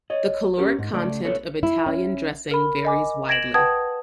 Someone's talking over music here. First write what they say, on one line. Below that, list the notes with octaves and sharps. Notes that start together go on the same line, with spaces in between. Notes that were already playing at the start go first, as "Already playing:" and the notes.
The caloric content of Italian dressing varies widely.
C#5 D#5
C#4 G4 A#4
G#2
C#2 A3 D5
B3 A4 C#5
E4
C#4
A#4 B5
D#5 G#5 D6
G#6 A#6 D7 E7 F#7
B4 F#5 G5 A5 D#6 G#6